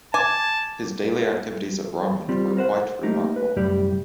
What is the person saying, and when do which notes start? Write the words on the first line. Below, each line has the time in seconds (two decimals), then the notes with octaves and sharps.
His daily activities at Roermond were quite remarkable.
0.14 G#5 A5 D6 G#6
2.29 G3 C4 F4
2.57 A#4 C5 F#5
3.03 A3 A#3 D#4 G4
3.36 B4
3.56 C2 F#2 A2 G3 G4 D5